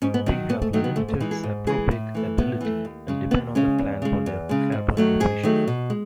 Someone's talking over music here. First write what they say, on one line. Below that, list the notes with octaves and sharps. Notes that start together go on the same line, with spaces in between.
They have limited saprobic ability and depend on the plant for their carbon nutrition.
G#2 C#4
B3
D#3 F#3 C#4
G#2 B3
A3
D#3 F#3 A3
B3
G#2 A3
A3
E3 G#3 D#4
G#4
G#2
E3 G#3 G#4
A2
E3 A3
A2 B3
E3 A3
D#2
C#3 G#3
D#2 B3
C#3 G#3 C#4
E2
C#3 G#3
E2
C#3 G#3
G#2
D#3 F#3 A3
G#2 G#4
D#3 F#3 A3
B2
G#3